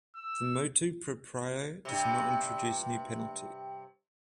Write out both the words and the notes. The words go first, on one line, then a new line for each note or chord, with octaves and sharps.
The "motu proprio" does not introduce new penalties.
E6
G2 C3